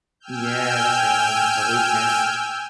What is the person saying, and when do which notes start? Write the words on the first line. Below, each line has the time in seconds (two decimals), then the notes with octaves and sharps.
Yes, girl, that's a weakness.
0.20 G5 G#5 E6 F6 G6